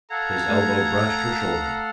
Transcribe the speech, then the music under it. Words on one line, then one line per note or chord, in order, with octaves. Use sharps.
His elbow brushed her shoulder.
A4 F5 F#5 A#5 G#6
A3